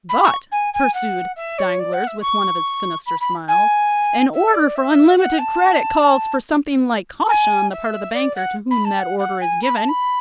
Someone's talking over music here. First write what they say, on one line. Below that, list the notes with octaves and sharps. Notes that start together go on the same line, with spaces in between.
But," pursued Danglars with one of his sinister smiles, "an order for unlimited credit calls for something like caution on the part of the banker to whom that order is given.
B5
C#6
G#5
G#5
F#5
E5
C#5
D5
F#5
E5
C#6
B5
B5
G#5
E5
D5
E5
F#5
A5
G#5
E5
D5
F#5
B5
A5
F#5
F#5
G#5
B5
A5
B5